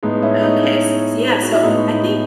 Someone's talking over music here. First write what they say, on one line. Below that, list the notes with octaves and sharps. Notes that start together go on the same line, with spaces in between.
Okay, s so, yeah, so I think
A2 G#3 B3 D#4
C#4 E4
D#4
C#4
F#4
E4
A2 G#3 B3 D#4
D#4